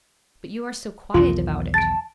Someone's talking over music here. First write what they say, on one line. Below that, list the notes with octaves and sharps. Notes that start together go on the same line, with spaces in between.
'But you are so quiet about it!
B1 E2 D#3 F4
A5 A6 D7